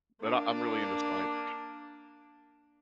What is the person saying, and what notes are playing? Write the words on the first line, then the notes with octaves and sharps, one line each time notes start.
But I I'm really into science.
A#3 D4